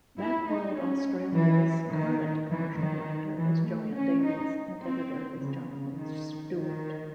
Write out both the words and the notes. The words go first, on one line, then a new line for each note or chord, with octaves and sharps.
"Macworld Australia"'s current Commercial Director is Joanne Davies and Editor is Jonathan Stewart.
E4
D#4
C#4
E3
D#3
E3
D#3
E3
A3
C#4
D#4
C4
C#3
D#3
D#3